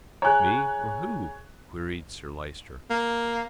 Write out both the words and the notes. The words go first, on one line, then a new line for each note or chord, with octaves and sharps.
"Me or who?" queried Sir Lyster.
G#4 C#5 G#5 A#5 F#6
A#3